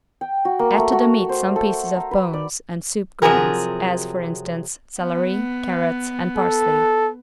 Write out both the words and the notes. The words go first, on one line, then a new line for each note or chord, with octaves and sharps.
Add to the meat some pieces of bones and "soup greens" as, for instance, celery, carrots and parsley.
G5
F#4
A#3
A3
F#4
C5
A4
A#5
B4
D5
C3 F3 F#3 G#4 A#4
B3
A4